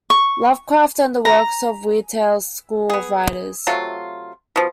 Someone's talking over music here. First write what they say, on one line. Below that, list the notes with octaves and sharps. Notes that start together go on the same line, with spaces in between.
Lovecraft and the works of the Weird Tales school of writers.
C#6
A#5
B3 G#4
C3 F#3 A3 F4
B2 F3